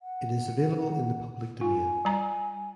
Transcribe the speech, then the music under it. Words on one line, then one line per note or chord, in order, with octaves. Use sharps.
It is available in the public domain.
F#5
F4 G#5
G3 A#5